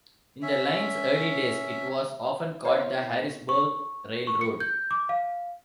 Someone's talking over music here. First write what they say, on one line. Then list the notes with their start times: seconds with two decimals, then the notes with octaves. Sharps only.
In the line's early days, it was often called the Harrisburg Railroad.
0.42 C#4 E5
2.65 B3 E4 C5 C#5 F5
3.49 C#6
4.27 C#6
4.41 C#7
4.60 G6
4.91 D6
5.09 F5